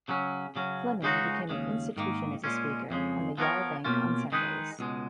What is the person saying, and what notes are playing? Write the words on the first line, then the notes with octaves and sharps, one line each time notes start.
Fleming became an institution as a speaker on the Yarra Bank on Sundays.
C#3 F#3 C#4
C#3 F#3 C#4
C#2 C#3 G#3 D#4 F#4
D#2 C#3 G#3
G#2 D#3 A#3
A#2 G#3 C#4
F2 C#3 G#3
F3 B3 F4 A#4 C#5
B2 A#3 C#4 F4
D#3 G#3 D#4 G#4 B4
C#2 B2 G#3